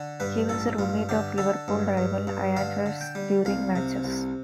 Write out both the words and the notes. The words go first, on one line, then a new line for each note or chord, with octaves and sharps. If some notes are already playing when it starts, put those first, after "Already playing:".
He was a room mate of Liverpool rival Ian Rush's during matches.
Already playing: D3
G2 B4
A1 A4
G2 F4
D3 G4
D3 A4
G2
G2
G2
D3 F5
D3
G5
G3
C2 F5
C3
C2